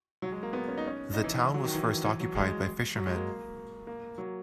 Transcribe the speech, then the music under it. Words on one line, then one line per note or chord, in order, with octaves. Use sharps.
The town was first occupied by fishermen.
F#3
G#3
A#3
B3
C#4
D#4
C#4
D#4
E3
E3
F#3
D#3
E3
E3
F#3
G#3
F#3
G#3
A#3
A#3
F#3